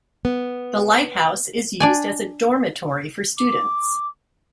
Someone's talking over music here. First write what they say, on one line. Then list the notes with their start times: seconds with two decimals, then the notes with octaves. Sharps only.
The lighthouse is used as a dormitory for students.
0.25 B3
1.80 D4 D5 G#5
3.38 D6